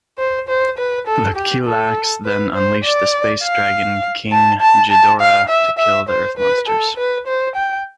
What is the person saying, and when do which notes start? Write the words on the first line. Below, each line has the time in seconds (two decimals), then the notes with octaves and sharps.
The Kilaaks then unleash the space dragon King Ghidorah to kill the Earth monsters.
0.18 C5
0.48 C5
0.78 B4
1.07 A4
1.36 G4
1.66 A4
2.25 B4
2.55 C5
2.84 D5
3.44 F5
4.32 A5
4.61 A5
4.91 A5
5.21 F5
5.49 E5
5.79 E5
6.09 C5
6.38 B4
6.68 A4
6.97 B4
7.27 C5
7.56 G5